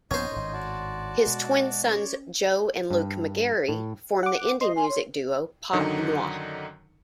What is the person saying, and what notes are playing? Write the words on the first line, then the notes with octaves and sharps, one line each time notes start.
His twin sons, Joe and Luke McGarry, form the indie music duo Pop Noir.
A#1 G2 B2 B3 C#4 D#4 C5 D#5
G#1 A2 C6
F#4 D5 A5
B2 G#3
C#4 C#5 D5
G2
A2
F#5 D6
D#5 C6
G#5
C#5
F#2 D3 D#3 F#3 D#4